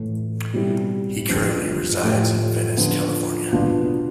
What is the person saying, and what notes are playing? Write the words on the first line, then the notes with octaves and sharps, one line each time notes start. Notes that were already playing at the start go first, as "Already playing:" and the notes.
He currently resides in Venice, California.
Already playing: A2 E3 A3
B2 G3 C4 E4 G4
F3 B3 D4 G4
A2 F3 A3 E4 G4
D3 F3 B3
B2 B3 D4 F4